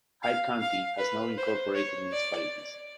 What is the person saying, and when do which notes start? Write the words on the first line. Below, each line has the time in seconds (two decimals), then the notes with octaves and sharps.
Hyde County has no incorporated municipalities.
0.23 F5
0.61 F5
0.99 B4
1.37 C5
1.75 C#5
2.12 D5